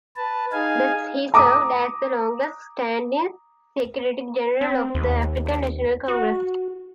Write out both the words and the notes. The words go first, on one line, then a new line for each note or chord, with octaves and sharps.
He served as the longest-standing secretary-general of the African National Congress.
B4 A5
D#4 G#4 F5 G#5
A#5 D6 D#6
C4
D#2
F#4